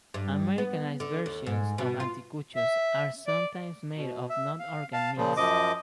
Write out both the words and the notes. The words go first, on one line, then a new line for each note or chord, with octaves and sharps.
Americanized versions of anticuchos are sometimes made of non-organ meats.
G2
B3
D3
D#2
G#2
B2
F4
E5
D5
B2
E5
F5
F5 A5
A#2 C#3 F3
F#2 F3 D#5 D6